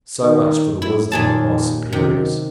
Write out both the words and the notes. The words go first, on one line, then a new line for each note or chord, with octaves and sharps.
So much for the wisdom of my superiors.
D#3
A2 E4
D#2 A#2 G#4 A5
F#2 C3 D#3